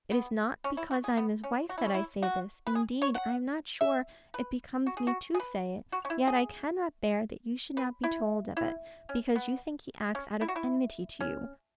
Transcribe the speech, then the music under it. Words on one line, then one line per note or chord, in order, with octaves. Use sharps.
It is not because I am his wife that I say this--indeed I am not sure it becomes me to say it; yet I cannot bear that you should not be told of it, because you think he acts out of enmity to you.
B3
C#4
E4
F#4
G#4
B3
C#4
F#4
E4
C#4
E4
F#4
B4
G#4
C#5
F#5
E5
B4
F#4
G#4
F#4
G#4
B4
F#4
C#4
E4
G#4
B4
E4
E4
C#4
B3
C#4
E4
F#4
E4
C#4